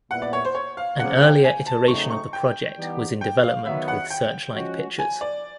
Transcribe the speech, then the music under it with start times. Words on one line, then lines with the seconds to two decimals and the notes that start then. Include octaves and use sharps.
An earlier iteration of the project was in development with Searchlight Pictures.
0.11 A#2 G3 B3 E4 F#5
0.22 D5
0.33 C#5
0.45 C5
0.55 C#5
0.77 F5
0.99 C#3 F3 A#3 F#5
1.21 G5
1.44 G#5
1.66 A5
1.88 C#3 F#3 A3 C4 D#4 C#6
2.10 C#6
2.33 G5
2.77 E3 G3 B3 D#4 G4
3.21 G5
3.43 F5
3.66 D#3 F#3 B3 E5
3.88 F#5
4.10 G5
4.54 F3 G#3 C#4 F#4
4.99 G#5
5.21 D5